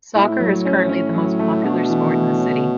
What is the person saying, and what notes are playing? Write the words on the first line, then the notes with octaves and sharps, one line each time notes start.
Soccer is currently the most popular sport in the city.
A2 E4
B2
A2
F#3
C#4
C#4
F#3
A3
B2 D4
E3
A3
C#4